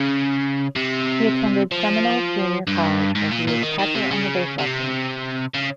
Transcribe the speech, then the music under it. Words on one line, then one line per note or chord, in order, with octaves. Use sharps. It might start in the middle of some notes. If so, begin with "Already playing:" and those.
He attended Seminole Junior College where he was catcher on the baseball team.
Already playing: C#3
C3
F3
G2
G#2
A#2
A#2
D#3
D#3
C3
C#3
C3
C#3